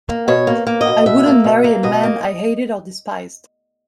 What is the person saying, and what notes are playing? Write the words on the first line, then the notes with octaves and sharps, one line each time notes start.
I wouldn't marry a man I hated or despised.
A#3
B2 C#5
A#3
A#3
D#5
B2
B2 E5
A#3
B2
A#3
B2 D#5
A#3